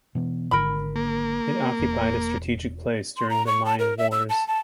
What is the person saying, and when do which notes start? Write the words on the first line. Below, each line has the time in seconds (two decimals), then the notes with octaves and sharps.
It occupied a strategic place during the Mine Wars.
0.15 B2 E3 B3
0.51 G#1 G#2 D3 A#4 B5
0.96 A#3
1.79 E1
3.17 C6
3.30 A#5
3.47 C#6
3.65 A5
3.79 A#4
3.98 E5
4.12 E6
4.30 A5
4.48 A5